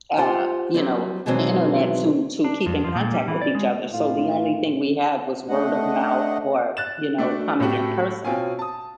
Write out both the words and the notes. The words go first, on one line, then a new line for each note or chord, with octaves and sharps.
uh, you know, internet to to keep in contact with each other, so the only thing we had was word of mouth or, you know, coming in person.
F4 G4 C5 F#5
F#3 G3 C4
B2 D#3 E3 F#3 G#3 C4
D4
F2
F3
A#2
G3
E3
D5
G#3
A2 F4
A3 D4 D#5 F#5
F#6 A6 E7
A3 D4 F#4
A2 A3 F#4 G4
B2 C4 C#4 F4 G#5
A5 D#6